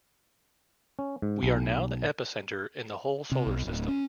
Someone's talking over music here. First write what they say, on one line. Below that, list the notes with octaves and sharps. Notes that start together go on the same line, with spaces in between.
We are now the epicenter in the whole solar system.
C#4
G#2
B1
C3
B1
D1
C#4